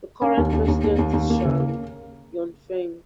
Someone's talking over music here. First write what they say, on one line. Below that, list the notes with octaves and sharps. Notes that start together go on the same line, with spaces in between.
The current president is Shang Yongfeng.
C#4
D#2
D#2
D#2
D#2
D#2
D#2
A#3
C#3
A#3